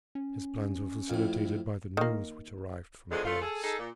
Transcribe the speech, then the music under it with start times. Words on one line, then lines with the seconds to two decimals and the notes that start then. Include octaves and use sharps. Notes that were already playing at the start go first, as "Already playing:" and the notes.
His plans were facilitated by the news which arrived from Paris.
0.15 C#4
1.10 F2 A2
1.97 D#3 A#3
3.11 E2 D3 F3 G#3
3.25 A3 F4
3.42 G#4 A4
3.63 D#4 G#4 A4
3.79 A#2